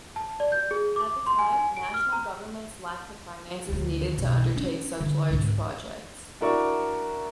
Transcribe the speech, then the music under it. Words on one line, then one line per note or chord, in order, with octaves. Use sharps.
At the time, national governments lacked the finances needed to undertake such large projects.
A5
D5
G6
G#4
D6
C6
G#5
G#5
D7
F6
A#5
D2 D#3
B1 F#2
C#4 D4
D3
C#2 G#2
D4 E4 F#4 A#4 D5 C#6